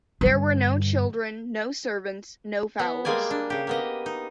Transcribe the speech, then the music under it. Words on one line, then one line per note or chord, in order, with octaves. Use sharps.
There were no children, no servants, no fowls.
G2 D3
B3
G3 G#3 A#3 D5 G#5
D4
C#3 G4
A#3 B3 D#5
D#4